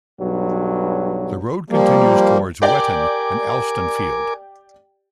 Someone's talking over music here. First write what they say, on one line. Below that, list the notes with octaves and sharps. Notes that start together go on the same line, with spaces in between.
The road continues towards Wetton and Alstonefield.
B1 G2 F#3
F3 G3 A#3
G4 A#4 D5 G5 G#5 D6